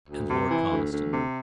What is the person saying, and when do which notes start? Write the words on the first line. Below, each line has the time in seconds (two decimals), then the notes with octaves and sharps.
"And Lord Conniston?"
0.10 D2
0.30 C3
0.51 E3
0.72 D2
0.92 D2
1.13 C3